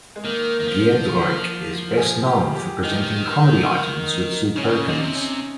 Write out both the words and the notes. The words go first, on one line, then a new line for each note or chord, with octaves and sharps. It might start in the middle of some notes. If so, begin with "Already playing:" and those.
Giedroyc is best known for presenting comedy items with Sue Perkins.
G#3
D#3 A#3
D#3
F3
G#4
G4
G4
D#3 D#4
F3
D#3
C#3 C#4
A#2 D#4
C3
C#4